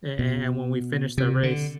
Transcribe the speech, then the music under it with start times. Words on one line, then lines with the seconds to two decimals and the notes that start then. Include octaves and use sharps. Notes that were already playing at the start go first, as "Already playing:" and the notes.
a a and when we finished that race,
0.19 B2
1.18 C3
1.43 D3